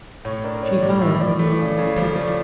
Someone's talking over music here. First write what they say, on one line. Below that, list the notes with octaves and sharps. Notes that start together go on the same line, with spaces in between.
She followed, and they disappeared.
A2 C#5
D4 A#4
D4 C#5
A2 D5
A2 E5
A2 D5
A3 D5
C#3
C#3
F3
A3